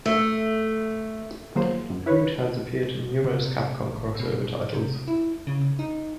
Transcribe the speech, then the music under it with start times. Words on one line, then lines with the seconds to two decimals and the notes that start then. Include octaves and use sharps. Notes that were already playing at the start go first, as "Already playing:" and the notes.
Hood has appeared in numerous Capcom crossover titles.
0.06 A3
1.55 D#3 F3 F#3 A#3 G#4 C5
1.90 F#2
2.06 E4 B4 C#5
3.45 C3
3.93 G#1
4.19 B2
4.74 C3
5.08 E4
5.47 C#3
5.79 D#4